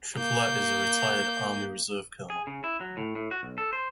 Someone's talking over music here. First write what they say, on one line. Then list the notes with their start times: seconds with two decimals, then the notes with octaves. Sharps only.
Triplette is a retired Army Reserve colonel.
0.16 A#3 G6
2.30 G#4
2.47 C#3
2.64 E4
2.81 F#3
2.97 A2
3.15 A2
3.31 F#4
3.43 B1
3.58 A4
3.73 C5